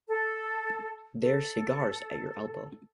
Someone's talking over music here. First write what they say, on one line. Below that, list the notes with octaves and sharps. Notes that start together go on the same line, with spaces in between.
There's cigars at your elbow.
A4
A4